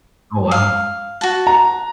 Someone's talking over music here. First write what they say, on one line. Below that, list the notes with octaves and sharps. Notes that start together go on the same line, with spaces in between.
Oh, wow.
F5
F#4 A5
A#5